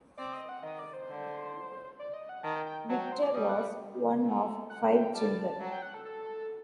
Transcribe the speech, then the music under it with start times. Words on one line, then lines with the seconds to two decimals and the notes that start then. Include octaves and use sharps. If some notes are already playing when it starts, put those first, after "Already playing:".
Victor was one of five children.
0.17 C4 D5
0.33 D#5
0.49 F#5
0.63 D#3 D#5
0.79 D5
0.93 C5
1.08 D3
1.99 D5
2.14 D#5
2.29 F#5
2.43 D#3 A5
2.55 G5
2.66 G5
2.90 F#3 A5
3.00 G5
3.12 C5
3.23 D5
3.34 G3 D#5
3.49 F#5
4.25 A3
4.70 F#5
4.92 G5
5.15 G3 A5
5.60 F#3
5.66 A5
5.72 G5
5.82 F#5
5.94 A4
6.05 A4